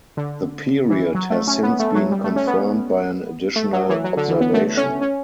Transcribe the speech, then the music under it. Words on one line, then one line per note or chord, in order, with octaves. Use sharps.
The period has since been confirmed by an additional observation.
D3
E3
F#3
A3
C#4
B3
A3
F#3
G3
A3
C#4
B3
A3
F#3
E3
F#3
D3
E3
B3
A3
C#4
C#4